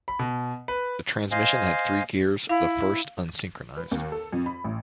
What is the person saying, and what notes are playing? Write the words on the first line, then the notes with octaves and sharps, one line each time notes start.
The transmission had three gears, the first unsynchronised.
B5
B2
B4
C5 D#5 F5 G#5
E4 F5
B4
D#2
A4
F2
B5
A1